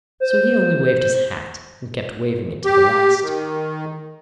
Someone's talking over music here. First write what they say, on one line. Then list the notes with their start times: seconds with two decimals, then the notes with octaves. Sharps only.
So he only waved his hat, and kept waving it to the last.
0.20 C5
2.65 G4
3.23 D#3